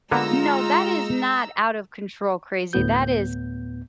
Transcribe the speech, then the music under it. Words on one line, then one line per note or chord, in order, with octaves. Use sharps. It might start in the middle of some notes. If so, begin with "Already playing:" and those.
No, that is not out of control crazy, that is
D3 G#3 A#3 B3 D#4 F4 A#5 E6
D2 A2 B3 G6